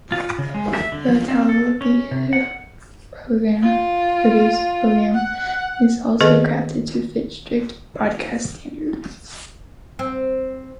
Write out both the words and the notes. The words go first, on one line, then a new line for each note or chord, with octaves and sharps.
The Televisa produced programming is also crafted to fit strict broadcast standards.
F4
C#3
G#3
E5
D3
F3
C4
A4
C#4
C3
F#5
F4
F#5
D#3 B3 G#4 A4 B4 D#5
C4